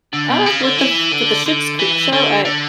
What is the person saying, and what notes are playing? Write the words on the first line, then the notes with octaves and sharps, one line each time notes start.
Uh, with the f with the Schitt's Creek show, I
D3
B2
C#3
D3
E3
D3
D3
E3
D3
D3